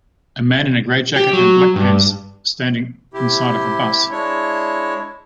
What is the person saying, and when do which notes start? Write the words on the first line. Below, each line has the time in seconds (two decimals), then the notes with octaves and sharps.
A man in a gray jacket and black pants standing inside of a bus.
1.16 G4
1.33 F#3
1.76 G2
3.14 C3 E4 G4
4.11 G#3 D4 E4 C#5